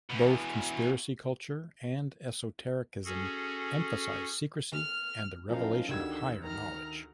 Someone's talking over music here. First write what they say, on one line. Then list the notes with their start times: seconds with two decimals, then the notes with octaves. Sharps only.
Both conspiracy culture and esotericism emphasize secrecy and the revelation of higher knowledge.
0.10 E2 B2
3.05 C#4 F#4 G#4 A4
4.72 F6
5.50 F3 F#3 C#4 D#4 A#4 F5
5.88 D2 D3 D#3 G4 E6 G#6
6.43 D#3 A#5 F6